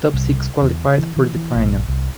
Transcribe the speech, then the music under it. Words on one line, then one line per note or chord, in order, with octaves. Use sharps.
Top six qualified for the final.
C2
E2
E3
E3
E3
A#1
C2